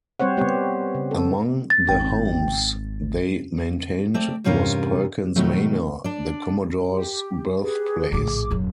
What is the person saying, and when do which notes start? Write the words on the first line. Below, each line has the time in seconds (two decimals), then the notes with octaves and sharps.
Among the homes they maintained was Perkins Manor, the commodore's birthplace.
0.20 G3 C4 C5 C#5 F#5
0.37 G3 B3 G4 C#5
0.95 C#3
1.11 A4
1.70 A6
1.89 G#1 G5
4.14 A3 C4 D5
4.44 E2 G2 C3 C#4 F4 A#4
5.36 B2 D#3 F#3 A3
6.04 D4 D5
6.91 G4
7.62 G4 G#4 B4
8.12 A#1 A2 G#4 D6
8.51 D#1 F#2